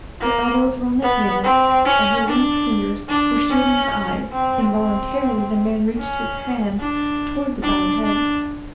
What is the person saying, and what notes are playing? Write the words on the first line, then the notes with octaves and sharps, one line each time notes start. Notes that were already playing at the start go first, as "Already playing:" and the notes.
Her elbows were on the table, and her linked fingers were shielding her eyes. Involuntarily the man reached his hand toward the bowed head.
A#3
B3
C4
C#4
D4
D4
C#4
C4
C4
C#4
D4
D4
D4